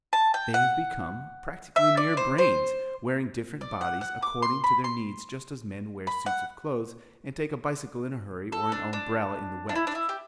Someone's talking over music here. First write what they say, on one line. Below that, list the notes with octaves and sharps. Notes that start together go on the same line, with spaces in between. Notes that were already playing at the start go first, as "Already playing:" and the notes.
They have become practically mere brains, wearing different bodies according to their needs just as men wear suits of clothes and take a bicycle in a hurry or an umbrella in the wet.
A5
G5
F#5
E5
D5
C5
C5
D5
F#5
F#5
D6
C6
B5
C6
B5
F#5
A4
D4
D4
D4
E4
D4
E4
G4